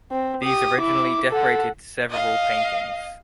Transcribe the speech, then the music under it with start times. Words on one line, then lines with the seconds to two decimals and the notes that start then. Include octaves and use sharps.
These originally decorated several paintings.
0.12 C4
0.44 G4 D#6
0.80 E4 D6
1.30 A4 F#5
2.09 D#5 F5